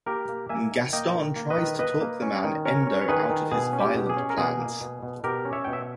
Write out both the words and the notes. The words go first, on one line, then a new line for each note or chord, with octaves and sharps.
Gaston tries to talk the man, Endo, out of his violent plans.
A#3 G4 A#4
A#3
A#3 E5 G#5
D#3
A#3 D#5 G5
D#3
A#3
B4 D#5
D#3
A#3 B4 D#5
A#3
C#4
D#3
C#4 A#4 C#5
C#4
C#5
D#3 G#4 B4
D#3
B2 G#4
C#4
G4
B2
G#4
C#4
A#4
B2 G#4
A#3
B2
B2
B2 G4 A#4
C#4
C#5 E5
B2 G5
E5